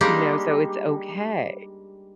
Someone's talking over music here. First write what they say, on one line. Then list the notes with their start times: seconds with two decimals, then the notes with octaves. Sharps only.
You know, so it's okay.
0.01 G3 G#3 A#3 D4 D#4 G4